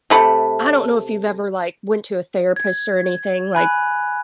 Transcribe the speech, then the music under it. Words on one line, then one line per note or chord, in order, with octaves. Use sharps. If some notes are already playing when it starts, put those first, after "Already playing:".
I don't know if you've ever, like, went to a therapist or anything, like,
C3 A3 B5
G#6
G#5 B5 F#6